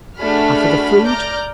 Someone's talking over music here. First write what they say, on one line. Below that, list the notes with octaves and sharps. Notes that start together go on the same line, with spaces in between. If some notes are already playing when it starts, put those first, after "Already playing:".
And for the food!
A3 D4 F#4 G#4 B5 F6
D5 A#5 D6 F6 G6